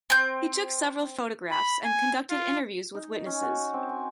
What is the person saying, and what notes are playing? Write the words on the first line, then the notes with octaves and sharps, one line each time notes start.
He took several photographs and conducted interviews with witnesses.
C4 G6
B5
G#5
F4
D#4
C#4
F#4
C4
G#5